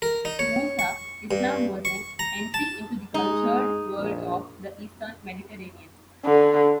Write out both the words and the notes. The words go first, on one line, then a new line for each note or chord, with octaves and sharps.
To Musa, Islam was "an entry into the cultured world of the Eastern Mediterranean".
A#4
D#4
C#5
C#6
G2
C#6
A#5
A5
G#3 D#4
A#1
D3